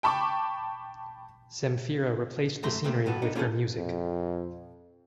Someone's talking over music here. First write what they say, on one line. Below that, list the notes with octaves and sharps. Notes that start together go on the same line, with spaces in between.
Zemfira replaced the scenery with her music.
G5 A5 B5 C#6 D6
F#2 A3 A#5 C6
C3 A3 A#3 C4
G2 B3 F#4 A5
B3 D4 D#4
A#3 C#4 F4 F#4 G#4 A4
F2